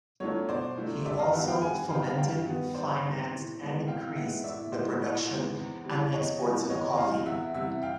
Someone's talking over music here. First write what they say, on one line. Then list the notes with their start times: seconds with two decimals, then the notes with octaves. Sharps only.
He also fomented, financed and increased the production and exports of coffee.
0.20 F#3 A3 D4 F4 C#5
0.49 B2 C5 D5
0.78 F#3 A3 D4 F4
1.05 G2 D5 E5
1.19 D#5 F5
1.33 D#3 G3 B3 E5 F#5
1.47 F5 G5
1.61 G2 F#5 G#5
1.89 D#3 G3 B3 F5 G5
2.18 G2 F5 G5
2.47 D#3 G3 B3
2.74 G2 C5 D5
3.02 D#3 G3 B3
3.31 A2
3.59 E3 G#3 B3 D#4
3.87 A2 F5 G5
4.15 E3 G#3 B3 D#4 E5 F#5
4.44 A2 D5 E5
4.72 E3 G#3 B3 D#4 C5 D5
5.00 A2
5.29 E3 G#3 B3 D#4
5.56 E2
5.85 C3 E3 G3
6.13 E2 C#5 D#5
6.41 C3 E3 G3
6.69 E2 C#5 D#5
6.97 C3 E3 G3 D#5 F5
7.26 E2 E5 F#5
7.54 C3 E3 G3 E5 F#5
7.82 F5 G5